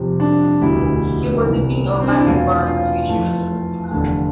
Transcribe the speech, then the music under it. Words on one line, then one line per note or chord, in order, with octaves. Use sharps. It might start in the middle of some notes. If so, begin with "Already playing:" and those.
He was the Dean of Madrid Bar Association.
Already playing: F2 C3 G3
D4
E1 D2 D3 G3 E4
C2 C3 E3
C4
D4
E4
E2 B2 A3 F4
F4
F2 E3 A3
F1 E2 D3 A3